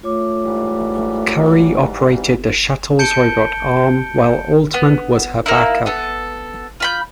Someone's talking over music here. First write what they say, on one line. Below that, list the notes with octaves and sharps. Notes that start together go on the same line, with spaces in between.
Currie operated the Shuttle's robot arm while Altman was her backup.
A3 F4 C#5 D6
G#2 E3 G3
A5 G6 C#7 D7 G7
B3
A#3 D#4 E4
B3 A4
F4 B5 G6